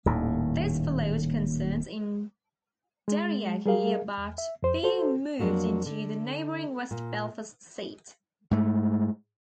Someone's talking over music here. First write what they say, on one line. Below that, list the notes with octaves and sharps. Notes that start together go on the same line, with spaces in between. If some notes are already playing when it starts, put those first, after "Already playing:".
This followed concerns in Derryaghy about being moved into the neighbouring West Belfast seat.
D#1 D#2 A2
G#3
G3 G#4 A#4 F5
E2
E5
F2 C5
F#4 A4 C5
F2 F#3 A#3 D4
D3
A#2
G#2 A3